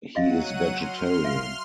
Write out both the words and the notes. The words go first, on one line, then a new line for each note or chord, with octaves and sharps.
He is vegetarian.
F#3 F#4 D#5 F5 F#5 D#7
C6 F6
E5 F5